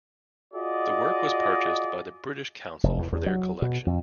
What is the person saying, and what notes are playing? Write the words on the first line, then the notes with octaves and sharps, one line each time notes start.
The work was purchased by the British Council for their collection.
F4 F#4 G#4 D5 D#5
F1
E2
E2
F#3
B2
F2